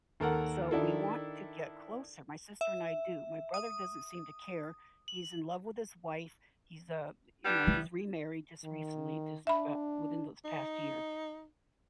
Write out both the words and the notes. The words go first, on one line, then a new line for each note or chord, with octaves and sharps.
So, we want to get closer; my sister and I do. My brother doesn't seem to care. He's in love with his wife, he's, uh you know, he's remarried just recently, just abou within this past year.
D#2 A4 A#4 F#5
D#3 D4 E4 A4
E5
D#6
F#7
G3 B3 D4
E3
D#3
D4 E5 B5
D#4